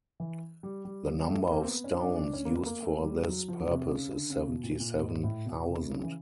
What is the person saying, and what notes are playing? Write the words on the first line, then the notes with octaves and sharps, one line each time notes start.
The number of stones used for this purpose is seventy-seven thousand.
E3
G3
G3
G3
A3
A#3
C4
B3
C#4
D4
D4
C#4
A#3
B3
A#3
A3
G3
F#3
F3
C3
C#3
D3
C#3
B2
A#2
A#2
G#2
A2
B2
C3
C#3
E3